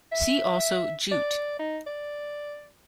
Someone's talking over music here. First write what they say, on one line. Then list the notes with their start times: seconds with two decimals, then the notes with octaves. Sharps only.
See also Jute.
0.12 E5
1.12 D5
1.59 D#4
1.87 D5